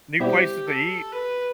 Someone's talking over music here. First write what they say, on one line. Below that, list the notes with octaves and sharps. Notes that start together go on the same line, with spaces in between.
New places to eat,
B2 G3 C4 E4 G4
A4
B4